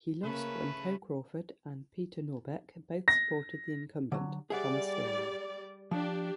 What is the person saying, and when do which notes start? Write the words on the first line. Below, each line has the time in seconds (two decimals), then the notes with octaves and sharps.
He lost when Coe Crawford and Peter Norbeck both supported the incumbent, Thomas Sterling.
0.23 C#3 A3 A#3 C#4 B4
3.08 A#6
4.12 D3 F#3
4.50 G3 G#4 D5 E5 F#5
5.91 F3 D4 G4